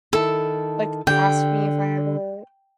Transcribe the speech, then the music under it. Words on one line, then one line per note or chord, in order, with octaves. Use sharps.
like, asked me if I ever
D#3 E4 A4
D3 G4 G5